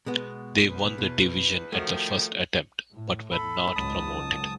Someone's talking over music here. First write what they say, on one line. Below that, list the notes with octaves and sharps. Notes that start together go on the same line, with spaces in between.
They won the division at the first attempt, but were not promoted.
B2 G#3 B3
E2 B4
B2
D#3 F3 A3 F#4
A2
A4 B5
C#2 G#2 F#3 A5 D#6